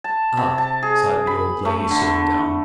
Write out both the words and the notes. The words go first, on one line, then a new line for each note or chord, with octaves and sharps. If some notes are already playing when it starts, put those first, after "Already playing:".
"Ah," sighed the old lady, sitting down.
A5
C3
A5
G#4
B5
A3
D3